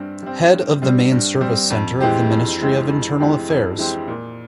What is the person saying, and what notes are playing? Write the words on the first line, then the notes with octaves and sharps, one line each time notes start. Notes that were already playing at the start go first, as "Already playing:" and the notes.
Head of the Main Service Center of the Ministry of Internal Affairs.
Already playing: G2 G3 C4
G3 C4
G2
G3 C4
G2
G3 C4
F2
E3 G#3 C4 G4
F2
E3 G#3 C4 G4
F2
E3 G#3 C4 G4
F2
E3 G#3 C4 G4
A#2